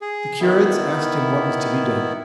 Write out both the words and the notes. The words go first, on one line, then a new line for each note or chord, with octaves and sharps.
The curates asked him what was to be done.
G#4
D#3 B3 E4